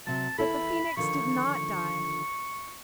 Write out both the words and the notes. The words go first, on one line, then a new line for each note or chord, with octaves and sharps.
But the Phoenix did not die.
C3 F#3 A5
E2 E4 A4 B5
D3 D#3 F3 C#6